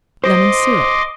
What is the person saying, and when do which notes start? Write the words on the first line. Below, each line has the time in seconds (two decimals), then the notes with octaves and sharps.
Lemon Syrup.
0.24 C5 D#5 C6 D6